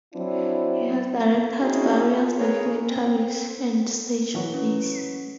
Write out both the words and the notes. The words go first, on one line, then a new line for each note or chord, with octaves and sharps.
He has directed various documentaries and stage plays.
F#3 C4 D4 E4
C4 C#4 D#4 E4 F#4 G#4
F4
G#4 A#4 B4 C#5
C4
E3 F#3 F#4
C#4 B4